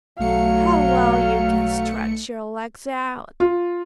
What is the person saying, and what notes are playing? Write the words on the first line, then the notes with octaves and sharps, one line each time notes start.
How well you can stretch your legs out!
B1 F#3 A3 F5 C#7
F4